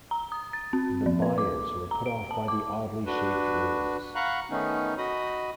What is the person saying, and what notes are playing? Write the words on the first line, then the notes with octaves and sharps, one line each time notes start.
The buyers were put off by the oddly shaped rooms.
A#5
D#6
A6
C4
F3
B4
D6
A#5
D7
A5
D6
D4 F#4 B4
F5 F#5 A#5 B5 C#6 F#6
D#3 A3 B3 C#4 D#4
F#4 D#5 B5 D#6